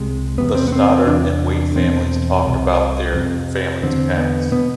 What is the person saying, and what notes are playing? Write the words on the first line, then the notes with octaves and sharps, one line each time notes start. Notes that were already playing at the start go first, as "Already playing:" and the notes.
The Stoddard and Waite families talked about there families past.
Already playing: C2 C3 G#3
E2 C3 B3
C4
B3
C4
C4
E2 C3 D4
E2 B2 C4
C2 C3
F2 C3
E2 D3 C4
B3
B2 B3